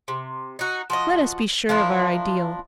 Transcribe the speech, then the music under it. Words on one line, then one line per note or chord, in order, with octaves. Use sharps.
Let us be sure of our ideal.
C3
D#4 F#4
F3 F#4 D#5
F3 A#3 D4 E4